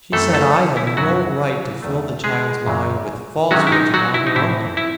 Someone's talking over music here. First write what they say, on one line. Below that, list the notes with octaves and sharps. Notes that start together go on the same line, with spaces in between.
She said I had no right to fill the child's mind with falsehoods about her uncle.
F#2 E3 A3 C4 A4
A3 A4
E4
E4
F#2 C#3 F#3 G#3 C#4 F#4
E2 D#3 A3
G#3 G#4
F#2 C#3 F#3
C3 D#3 F#3 G#3 C#4 F#4
E4
D#4
F#3 F#4
E4
D#4
A2 E3 C4 E4
E4